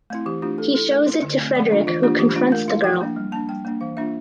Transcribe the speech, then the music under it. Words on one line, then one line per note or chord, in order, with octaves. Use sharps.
He shows it to Frederic who confronts the girl.
A3 C4 E4
E3 G4
A3 D4 F4 G4
A3 A4
E4 A4
A3 A#4
E4
D3
A3 C4
F3 D5
A3 D4 F4
E3 F4
A#3 D4 F4 G4
E3 G4
A3 D4 F4
A3 A#4
E4 F5
F3 G5
A#3 D4
G3
A#3 D4 A5
G3 G5
A#3 D4
E3 F5
A#3 D4 F4 E5